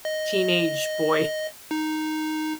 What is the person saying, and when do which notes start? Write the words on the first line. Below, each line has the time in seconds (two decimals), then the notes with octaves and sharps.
teenage boys,
0.05 D#5
1.71 D#4